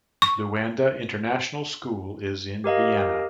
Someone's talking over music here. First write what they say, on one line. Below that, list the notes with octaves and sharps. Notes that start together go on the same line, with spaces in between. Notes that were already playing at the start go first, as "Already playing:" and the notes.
Luanda International School is in Viana.
C#6
G4 A#4 D#5 F5